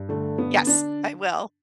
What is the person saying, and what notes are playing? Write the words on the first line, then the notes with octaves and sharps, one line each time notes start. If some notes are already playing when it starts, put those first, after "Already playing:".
Yes, I will.
Already playing: G2
D3 A3
D3 B3
D4